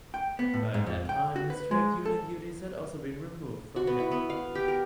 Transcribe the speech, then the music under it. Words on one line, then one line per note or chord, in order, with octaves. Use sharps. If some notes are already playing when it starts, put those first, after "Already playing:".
By that time his trades union duties had also been removed from him.
G5
B3
A2
G#2
F2
G5
F#4
B4
G#3
A4
F#4
B3
E4
B3
F5
G4
A#4